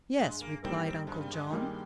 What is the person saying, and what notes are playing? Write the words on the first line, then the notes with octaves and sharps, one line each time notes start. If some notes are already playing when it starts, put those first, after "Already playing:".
"Yes," replied Uncle John.
G2 G#3
A#3
D#3 G3 A#3 C4
C4
G2 G#3
G3
G#3
D#3 G3 A#3